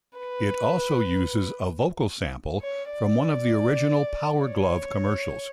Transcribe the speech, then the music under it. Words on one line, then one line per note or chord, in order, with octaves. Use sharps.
It also uses a vocal sample from one of the original Power Glove commercials.
B4
C#5
D5
C#5